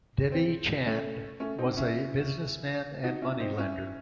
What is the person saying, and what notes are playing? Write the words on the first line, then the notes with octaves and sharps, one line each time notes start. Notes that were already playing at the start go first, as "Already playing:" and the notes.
Devi Chand was a businessman and money lender.
C4
A3 C#4
A3 C#4
C4 D#4
C#4 E4
D#4 F#4
C#4 E4
C4 D#4
C#4 E4